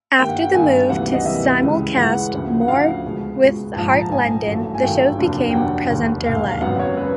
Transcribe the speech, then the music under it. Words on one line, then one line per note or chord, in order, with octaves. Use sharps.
After the move to simulcast more with Heart London, the shows became presenter-led.
G2 D#3 G3 A#3 G5
F#5
G5
G2 D#3 G3 A#3 G#5
D2 C3 E3 G3 A#3 F#5
F#5
D#5
D2 C3 E3 G3 A#3 E5
C#2 C#3 E3 G#3
C#2 C#3 E3 G#3 F#5
D2 C#3 F3
F#5
D2 C#3 F3 F5
C#2 B2 G#3
C#2 B2 G#3
A#1 G#2 F3 A5
A#5
A5
A#1 G#2 F3 G#5
A1 G2 D#3 F#3 A3
G#5
A1 G2 D#3 F#3 A3 G5
F1 D#2 D3 F#3
G5
F1 D#2 D3 F#3 F#5
E1 D#2 D#3
E1 D#2 D#3 F5
F5
G#1 F#2 C#3 F#3 B3 F#5
C#5
C#3 F#3 B3 B4